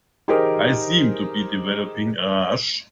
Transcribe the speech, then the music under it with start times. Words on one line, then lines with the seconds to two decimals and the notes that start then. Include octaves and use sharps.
I seem to be developing a rash.
0.28 D#4 G4 G#4 A#4 C5